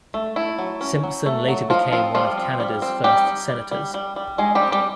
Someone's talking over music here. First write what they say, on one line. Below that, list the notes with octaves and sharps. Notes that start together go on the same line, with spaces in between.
Simpson later became one of Canada's first senators.
A3
A3 E4
F#3
C#4
F#3
A3
F#3
F3 D#4 F4
F3 C4 F4
F3 G3 F4
C4
G3
C4
G3 D#4 G4
G3
G3
G3
G3
G3
G#3 D#4 G#4
G3 G4
C4
G3 G4